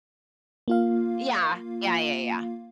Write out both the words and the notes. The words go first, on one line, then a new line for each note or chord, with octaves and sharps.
Yeah. Yeah, yeah, yeah.
A#3 F4 F5